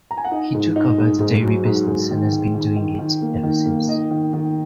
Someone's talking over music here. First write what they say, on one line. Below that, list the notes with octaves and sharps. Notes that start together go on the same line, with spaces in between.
He took over the dairy business and has been doing it ever since.
A#5
G#5
F#5
D#4 D#5
G#2
D#4
G#2
G#2
F#3
G#2
G#2
D#3
D#3
D#3
D#3
D#3
A#3
D#3
A#3
D#3 D#5
D#3
D#3